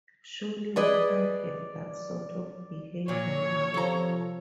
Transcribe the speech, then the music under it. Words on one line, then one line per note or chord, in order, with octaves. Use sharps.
Surely we can't have that sort of behaviour now?
G#4 B4 D5 D#5
A#2 F#3 C#5
C3 F3 A4 A#5